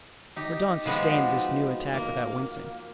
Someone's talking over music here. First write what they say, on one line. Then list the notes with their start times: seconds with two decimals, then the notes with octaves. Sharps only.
Mordaunt sustained this new attack without wincing.
0.36 D#4 G4
0.85 F3 G#3 B3 D#4 F#4 G4
1.94 A#3